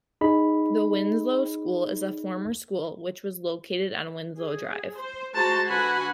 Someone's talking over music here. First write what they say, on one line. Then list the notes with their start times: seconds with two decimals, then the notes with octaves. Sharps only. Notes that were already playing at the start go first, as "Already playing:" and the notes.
The Winslow School is a former school which was located on Winslow Drive.
0.21 D#4 G#4 D#5 B5
4.38 G#4
4.95 C5
5.35 G#3 F#4 C5 A5 A#5
5.67 D3 F#4 B4 F#5 G#5 B5